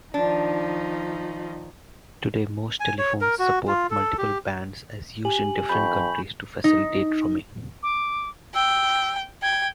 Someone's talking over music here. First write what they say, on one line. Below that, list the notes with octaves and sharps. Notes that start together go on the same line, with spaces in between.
Today, most telephones support multiple bands as used in different countries to facilitate roaming.
D#3 F3 D4 D#4
G#5
C#5
A#4
F#4
F4
A4
G4
G4 G#5 F#7
F2 B5 C#6 G6
D#4
D6
G5 E6
G5 G#6